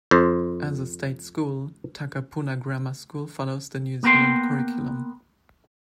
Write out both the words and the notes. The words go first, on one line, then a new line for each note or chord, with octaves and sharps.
As a state school, Takapuna Grammar School follows The New Zealand Curriculum.
F2 C5
A#3 B3 A#4 G5 C6